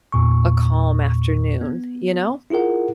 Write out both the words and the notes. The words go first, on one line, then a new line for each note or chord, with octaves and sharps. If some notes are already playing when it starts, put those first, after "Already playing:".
a calm afternoon, you know?
E2 A#2 C#6
B3
E4 F4 G#4 A#4 F#5